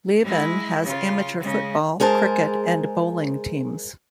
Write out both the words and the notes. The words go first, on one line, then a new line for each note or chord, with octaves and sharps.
Leven has amateur football, cricket and bowling teams.
G#3 E4
C#3 F4
C#3 G#3
G#3 G#4 A#4 C5 A5